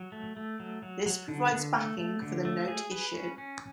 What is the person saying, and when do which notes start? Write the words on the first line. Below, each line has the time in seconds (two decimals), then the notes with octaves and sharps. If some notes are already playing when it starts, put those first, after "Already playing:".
This provides backing for the note issue.
Already playing: F#3
0.12 A3
0.37 A3
0.60 F#3
0.83 F#3
1.06 F#3
1.28 D3
1.52 D3
1.76 A3
1.98 A3
2.22 D3
2.45 A3
2.68 G#4
2.92 B4
3.14 C#4
3.38 C#4